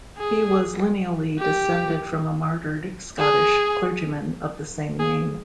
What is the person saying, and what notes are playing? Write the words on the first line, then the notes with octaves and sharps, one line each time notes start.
He was lineally descended from a martyred Scottish clergyman of the same name.
G#4
G4
G#4
G#4